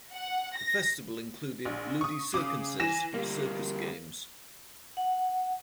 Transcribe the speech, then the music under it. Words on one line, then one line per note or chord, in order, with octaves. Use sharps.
The festival included "ludi circenses", circus games.
F#5
A#6
A#1
C#6 D#6
C#3 D6 D#6
E3 G#5 A#6 E7
D2 G3 A#3
F#5